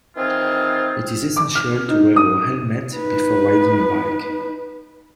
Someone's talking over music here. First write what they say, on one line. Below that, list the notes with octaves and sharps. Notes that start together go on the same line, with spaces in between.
It is essential to wear a helmet before riding a bike.
D#3 E3 C4 F4 G#4 C5
D6
F6
D#4
D#6
D#4 B4